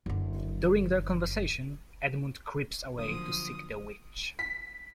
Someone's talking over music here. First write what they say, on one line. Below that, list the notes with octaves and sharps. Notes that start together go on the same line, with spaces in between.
During their conversation, Edmund creeps away to seek the Witch.
F#1 D3
D3 F3 F#3 A#3 D#6
B6